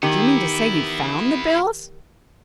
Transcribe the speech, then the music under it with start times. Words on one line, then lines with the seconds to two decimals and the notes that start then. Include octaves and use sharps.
"Do you mean to say you found the bills?"
0.03 D#3 B3 E4 G4